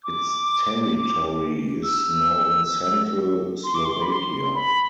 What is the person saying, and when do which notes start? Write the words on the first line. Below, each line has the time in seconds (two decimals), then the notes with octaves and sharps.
Its territory is now in central Slovakia.
0.04 D6
1.83 E6
3.64 C6
3.74 D6
3.85 C6
4.02 B5
4.10 C6
4.55 B5